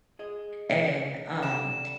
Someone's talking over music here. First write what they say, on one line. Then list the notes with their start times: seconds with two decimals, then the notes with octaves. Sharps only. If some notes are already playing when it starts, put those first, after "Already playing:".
and, um,
0.19 G#4 D#5
1.43 D3 G3 A#5 E7